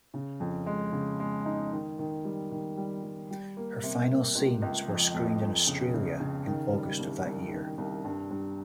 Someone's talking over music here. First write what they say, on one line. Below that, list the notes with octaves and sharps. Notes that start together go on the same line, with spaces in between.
Her final scenes were screened in Australia in August of that year.
C#3
F2
G#3
C#3
G#3
D#4
D#3
D#3
G3
D#3
G3
G3
G3
A#3
C3
A#3
C#2
C#2
F2
F2
F2
C#3
C#3
C#3
D#3
G3
C2
C2
D#3
C2
G2
G2